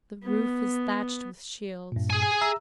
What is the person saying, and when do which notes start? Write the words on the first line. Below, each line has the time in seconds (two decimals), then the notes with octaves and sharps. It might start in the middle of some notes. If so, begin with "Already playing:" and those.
The roof is thatched with shields.
0.24 B3
1.92 G2 A#2
2.10 G#4 G#5
2.41 E5 A#5 E6